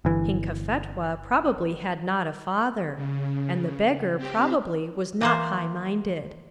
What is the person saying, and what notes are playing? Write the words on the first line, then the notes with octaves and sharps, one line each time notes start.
King Cophetua probably had not a father; and the beggar, probably, was not high-minded.
G1 E3
C#3
C4 G4
E3 A#3 C5